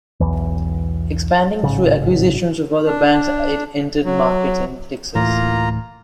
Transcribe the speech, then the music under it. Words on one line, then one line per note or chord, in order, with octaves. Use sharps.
Expanding through acquisitions of other banks it entered markets in Texas.
B1 E2 E3
A1 G#2 C#3
D4
F#3
D1 A2 E3 A#3 F4 A#5